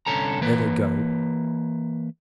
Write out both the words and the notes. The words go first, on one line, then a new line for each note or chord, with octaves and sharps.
"There they go!"
C2 A#2 D3 C#4 A4 A#5
E3 A#3 B4